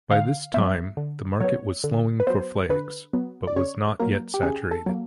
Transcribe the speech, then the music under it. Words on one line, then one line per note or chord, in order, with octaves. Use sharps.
By this time the market was slowing for flags, but was not yet saturated.
D3 F5
F#3 B3 E5
D3
F#3 B3 C#5
D3
B4
F#3 B3 C5
D3 B4
F#3 B3
D5
C#3 C#5
F#3 A#3 A#4
G4
C#3 G#4
A4
F#3 A#3